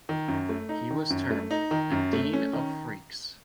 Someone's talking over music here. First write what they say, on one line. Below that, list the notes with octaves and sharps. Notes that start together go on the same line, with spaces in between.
He was termed "The Dean of Freaks".
D#3
F#2
A3
D#4
D#3
F#2
A3
D#4
D#3
F#2
A3
C#4
D#3